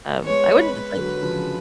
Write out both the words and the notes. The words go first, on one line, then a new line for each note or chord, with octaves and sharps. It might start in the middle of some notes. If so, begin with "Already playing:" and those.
Um, I wouldn't, like,
G#3 B3 C#5
B4
D3 F#3
C#3 F3